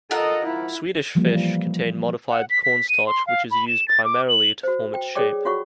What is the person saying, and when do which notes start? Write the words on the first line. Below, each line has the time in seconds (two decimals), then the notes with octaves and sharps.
Swedish Fish contain modified cornstarch which is used primarily to form its shape.
0.11 F4 A4 A#4 D#5 F#5
0.45 G#2 F3 E4
1.15 E3 F3 G3 A#3
2.29 F#5
2.50 B6
2.63 B6
2.89 D#7
3.07 C6
3.27 F5
3.51 B5
3.68 E7
3.88 A6
4.04 D6
4.29 F#7
4.63 F#4 C5
4.94 G5
5.15 G#4 A4 C#5 D5 G5 D6
5.45 F4 F#4 C#5 F#5 C#6